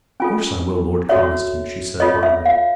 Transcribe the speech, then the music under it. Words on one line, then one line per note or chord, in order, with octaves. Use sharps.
"Of course I will, Lord Conniston," she said heartily.
C#4 F4 A4 G#5
F#4 A4 C#5 E5
F4 A4 C#5 D#5
E5
F5